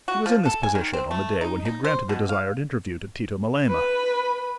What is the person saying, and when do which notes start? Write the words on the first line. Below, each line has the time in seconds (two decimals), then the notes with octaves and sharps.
He was in this position on the day when he had granted the desired interview to Tito Melema.
0.08 F#4
0.26 F3
0.46 A4
0.63 G#5
0.75 D#3
0.93 C4
1.11 A3
1.41 D#4
1.65 D#4
1.84 C5
2.09 B2
2.29 F5
3.69 B4 B5